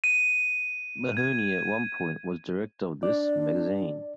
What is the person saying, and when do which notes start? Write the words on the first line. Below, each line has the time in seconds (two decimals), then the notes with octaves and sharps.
Mahony at one point was director of this magazine.
0.04 D#7
1.17 G#6
3.03 D4 D5